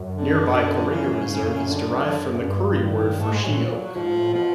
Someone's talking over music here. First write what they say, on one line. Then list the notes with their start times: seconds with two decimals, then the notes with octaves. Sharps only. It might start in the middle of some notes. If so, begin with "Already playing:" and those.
Nearby Kooringa Reserve is derived from the Koori word for sheoak.
Already playing: F#2
0.15 D3
0.54 F#2
0.92 C#3
1.22 G#2
1.30 G2
1.39 F2
1.48 F#2
1.68 D3
2.05 D3
2.34 F#2
2.44 G2
2.82 D#3
3.20 G#2 A3
3.32 G#3
3.45 A2 F#3
3.58 A#2
3.95 G#2 F3
4.15 A2
4.33 B2 F3